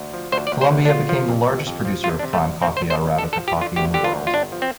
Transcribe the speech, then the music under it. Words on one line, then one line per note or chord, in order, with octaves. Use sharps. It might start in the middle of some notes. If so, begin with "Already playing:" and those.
Colombia became the largest producer of prime "Coffea arabica" coffee in the world.
Already playing: D2
F3
D2 C5
D5
D2
C5
D2
D4
F3 F4
F3
F2
F2
F2
F3
C3 F4
D4
C3
A3
D2
D2 C4
C5
D2
C5
D2
D3 A4
A4
F3
G4
D3 F4
D2 G4
D3 G4
F4
D2
F4
G1 D4
F3
C4